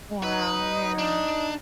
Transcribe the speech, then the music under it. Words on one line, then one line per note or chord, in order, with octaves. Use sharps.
Wow, yeah.
D#4 B4
D4